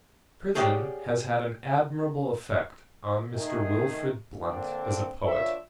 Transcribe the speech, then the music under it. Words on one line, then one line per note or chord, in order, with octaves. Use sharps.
Prison has had an admirable effect on Mr. Wilfrid Blunt as a poet.
G4 G#4 C#5 D5 F#5 G5
D#3 A3 G#4
D3 A#3 C4 D4
D4 F4 B4 C#5 E5